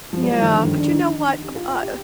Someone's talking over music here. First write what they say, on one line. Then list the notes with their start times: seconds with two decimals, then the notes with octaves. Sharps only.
Yeah, but, you know what, uh,
0.13 F3
0.22 G3
0.32 F3
0.42 D#3
0.52 D3
0.65 D#3
0.78 D4
0.91 D#4
1.43 G4
1.56 F4
1.69 F4
1.82 G4